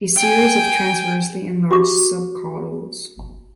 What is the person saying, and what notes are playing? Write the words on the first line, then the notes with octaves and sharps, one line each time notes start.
A series of transversely enlarged subcaudals.
G5 G#5
F#4 G4 D6